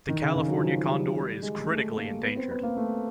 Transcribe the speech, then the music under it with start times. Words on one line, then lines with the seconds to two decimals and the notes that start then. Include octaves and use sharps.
The California condor is critically endangered.
0.09 D#3
0.22 C#3
0.36 D#3
0.48 F#3
0.58 F3
0.62 F#3
0.76 F#3
0.89 G3
1.03 F#3
1.15 G3
1.42 G#3
1.69 A3
1.97 A#3
2.23 B3
2.36 C4
2.51 B3
2.63 A#3
2.77 A3